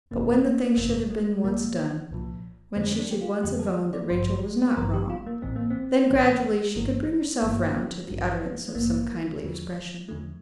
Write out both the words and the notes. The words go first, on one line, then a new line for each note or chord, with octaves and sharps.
But when the thing should have been once done, when she should once have owned that Rachel was not wrong, then gradually she could bring herself round to the utterance of some kindly expression.
G1 F2 C3 A#3
A3
A#3
G1 F2 C3 A#3
A3
C2 A#2 F3 A#3
C2 A#2 F3
F2 D3 F3 C4
C4
D4
G4
F4
F2 D3 F3 G4
A4
D5
A1 G2 F3 C5
C5
A1 G2 F3 A#4
G4
F4
A#3
A#1 A2 E3 C4
A#3
C4
A#1 A2 E3
G1 G2 E3
G1 G2 E3 A#3
A1 G2 E3
A3
A1 G2 E3 A#3
E2 D3 F3
E2 D3 F3 A3